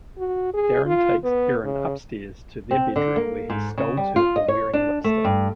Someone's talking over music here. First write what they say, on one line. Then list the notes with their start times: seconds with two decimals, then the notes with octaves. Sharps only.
Darren takes Erin upstairs to their bedroom where he scolds her for wearing lipstick.
0.18 F#4
0.54 G#4
0.86 F4
1.24 B3
1.64 C#3
2.71 C4
2.96 D3
3.16 A#3
3.50 G#2
3.78 C#3
3.97 G3
4.16 F4
4.36 D#5
4.48 C#5
4.73 D4
5.04 A3
5.25 G2